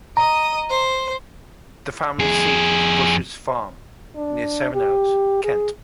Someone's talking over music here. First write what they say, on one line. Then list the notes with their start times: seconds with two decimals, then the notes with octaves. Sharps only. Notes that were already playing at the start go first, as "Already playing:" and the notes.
The family seat is Bushes Farm, near Sevenoaks, Kent.
0.17 D#5 A#5 D#6
0.70 C5
2.19 F2 G#4
4.16 D4
4.74 G4
5.44 G#4